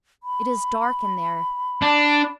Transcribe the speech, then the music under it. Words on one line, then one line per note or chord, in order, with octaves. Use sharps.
It is dark in there.
B5
D4